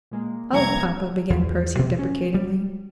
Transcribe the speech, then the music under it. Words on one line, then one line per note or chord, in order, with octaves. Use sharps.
"Oh, papa!" began Percy, deprecatingly.
A#2 G#3 A#3
F1 C2 A#5 G#6 C#7
E2
B2
C#4
G3